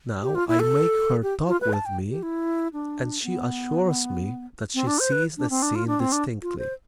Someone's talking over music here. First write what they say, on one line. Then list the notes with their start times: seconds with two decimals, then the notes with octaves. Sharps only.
Now I make her talk with me and she assures me that she sees the scene distinctly.
0.23 G4
0.35 F4
0.48 E4
0.60 A4
1.23 G4
1.48 F4
1.61 B4
1.73 A5
1.86 G5
2.10 G4
2.23 E4
2.73 D4
3.24 B3
4.75 C4
4.87 D4
4.99 C5
5.12 B4
5.37 D4
5.50 C4
5.62 D4
5.75 F4
5.87 D4
6.00 C4
6.12 D4
6.42 F4
6.59 C5